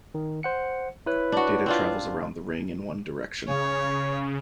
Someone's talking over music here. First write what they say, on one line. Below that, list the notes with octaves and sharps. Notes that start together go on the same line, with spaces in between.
Data travels around the ring in one direction.
D#3
C5 F#5 C#7
E4 B4 C#5
D4 F#4
C4 D4 F4
C#3 C#5